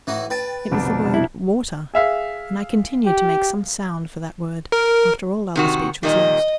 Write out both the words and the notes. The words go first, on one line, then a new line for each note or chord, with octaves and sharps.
It was the word "water," and I continued to make some sound for that word after all other speech was lost.
A2 E3 D#4 F#4
B4 G5 A5 A6 D7
C2 F2 B2 D3 D4 D7
E4
G#4 E5 F5
G4
A#4
C3 D#3 F#4
A#2 D#3 G3 D#5